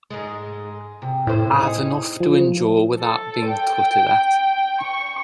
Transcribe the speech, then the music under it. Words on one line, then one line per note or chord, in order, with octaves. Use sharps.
I've enough to endure without being tutted at.
G#2 G#3
C3
A2 E4 C5
D#4 G#4
F3
A4
G5
C#6